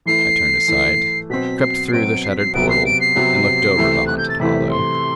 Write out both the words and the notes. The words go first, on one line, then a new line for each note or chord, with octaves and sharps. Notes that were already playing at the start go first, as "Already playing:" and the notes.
I turned aside, crept through the shattered portal and looked over the haunted hollow.
E3 A3 E4 C7
E3 A3 E4
B2 F#3 C4 B6
C7
C7
B2 F#3 C4 D7
C7
B6
C7
C3 F#3 B3 D7
C7
D7
C7
C3 F#3 B3
C3 E3 A3 E4
F#6
G6
A6
C3 E3 A3 E4 B6
C6